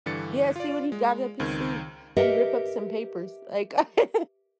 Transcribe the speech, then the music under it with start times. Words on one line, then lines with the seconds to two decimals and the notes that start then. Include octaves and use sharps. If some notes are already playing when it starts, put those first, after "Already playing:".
Yeah, see what he got up his sleeve. I'd rip up some papers, like, if
0.06 G2 D3 E3 A6 C#7
0.56 F4 D5
0.92 G#3
1.40 C#2 D#3 C4 G#6
2.16 G4 A#4 B4 D#5 E5 F#5